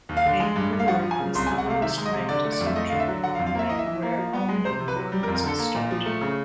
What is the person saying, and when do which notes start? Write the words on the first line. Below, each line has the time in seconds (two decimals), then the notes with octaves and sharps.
A gorr is the lowest-ranked soldier, the rank where all new recruits start.
0.09 D#2
0.17 F5
0.25 D3
0.40 G#3
0.56 G2
0.72 G2
0.79 F5
0.88 F3 F#5
1.03 F3
1.11 G#5
1.19 C#3
1.35 C2 C6
1.47 G#5
1.51 C2
1.58 F#5
1.66 C3 F5
1.82 D#3 E5
1.97 G#3
2.05 D#5
2.13 C3
2.29 D3 D5
2.44 A3
2.52 D5
2.60 F2
2.66 E5
2.76 A3 D#5
2.89 D3 F5
3.00 E5
3.08 F#3
3.23 D3 F#5
3.35 F5
3.39 F2
3.47 F5
3.55 A#3 E5
3.69 E3 D#5
3.79 E5
3.86 E3
4.02 A#3
4.18 F3
4.33 B3
4.49 G#3
4.65 C3 C5
4.80 C3
4.88 B4
4.96 F#3
5.12 G3
5.23 A#4
5.28 F2
5.35 A#4
5.43 D3 A4
5.59 A#3
5.75 A#2
5.91 F3
6.06 A3
6.21 C#3